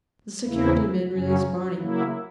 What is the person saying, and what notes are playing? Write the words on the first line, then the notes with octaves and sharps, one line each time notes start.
The security men released Barney.
E2 C#3 E3 A#3 E4
F#2 C#3 F#3 C#4
C#3 F#3 A#3 E4